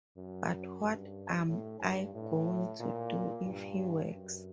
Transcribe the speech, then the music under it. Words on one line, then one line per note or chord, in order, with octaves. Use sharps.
But what am I going to do if he works?
F#2
G2
A2
G2
A2
A#2
G2
F#2